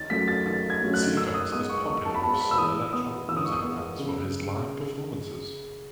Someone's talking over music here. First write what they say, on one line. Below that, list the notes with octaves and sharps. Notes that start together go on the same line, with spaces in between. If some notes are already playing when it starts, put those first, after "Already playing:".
Ceephax is popular with some electronic music fans for his live performances.
Already playing: D#3 A6
F#3 A3 C#4 B6
A6
D#3 A6
G#6
F#3 A3 C#4
F#6
D#3 E6
D#6
G#3 B3 D#6
C#6
D#3 C#6
A5
B5
G#3 B3 A5
B5
E6
E3 D#6
B3 D#6
E3 E6
D#6
C#6
D#6
B3
C#3